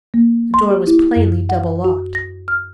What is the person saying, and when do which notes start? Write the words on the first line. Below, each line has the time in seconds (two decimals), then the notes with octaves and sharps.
The door was plainly double-locked.
0.14 A#3
0.54 C6
0.70 G4
0.87 E4
1.16 F#2
1.49 F#5
1.84 F#4
2.15 A#6
2.48 F6